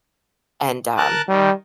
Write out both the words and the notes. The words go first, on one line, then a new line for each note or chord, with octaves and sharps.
and, um,
A#4 A5 F#6
D#3 G3